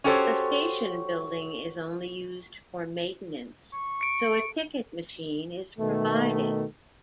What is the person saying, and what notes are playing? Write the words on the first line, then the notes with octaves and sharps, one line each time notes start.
The station building is only used for maintenance so a ticket machine is provided.
C#4 F#4 G4 A4 C5 C#5
C#6
C#7 D7
B2 D#3 A3